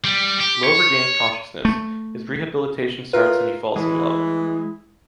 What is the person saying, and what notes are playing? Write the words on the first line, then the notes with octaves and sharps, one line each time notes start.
Lowe regains consciousness, his rehabilitation starts and he falls in love.
G3
G4
C#5
A3
F4 A#4 B4 E5
E3 G#3 E4